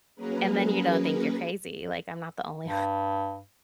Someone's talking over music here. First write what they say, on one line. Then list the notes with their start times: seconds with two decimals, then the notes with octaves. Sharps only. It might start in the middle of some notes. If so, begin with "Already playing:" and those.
And then you don't think you're crazy, like, I'm not the only, o
0.15 F#3 A#3 C#4 G#4 A#4 B4
2.67 G2